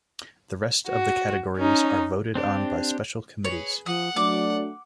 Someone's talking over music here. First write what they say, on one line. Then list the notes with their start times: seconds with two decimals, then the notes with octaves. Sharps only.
The rest of the categories are voted on by special committees.
0.87 F#4
1.57 C#4 D#4
2.35 C4 D4 G4
3.45 G#4 B4 C#5
3.86 F3 F#5 D#6
4.16 F#3 A3 D4 D5 D6